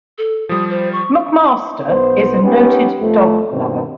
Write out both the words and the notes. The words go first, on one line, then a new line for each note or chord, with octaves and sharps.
McMaster is a noted dog lover.
A4
F3 G3 D#6
C5
C#6
B1 B3 C5
B3 C#4 D#4 G4 B4
F2 F3 A3
G2 B2 D#3 A#3 C4